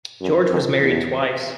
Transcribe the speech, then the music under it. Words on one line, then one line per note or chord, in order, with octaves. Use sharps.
George was married twice.
F#2
F2
E2